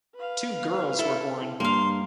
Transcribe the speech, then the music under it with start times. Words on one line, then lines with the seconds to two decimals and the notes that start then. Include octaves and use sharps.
Two girls were born.
0.15 B4 F5
0.99 E4 A4
1.60 G2 A#3 F5 C6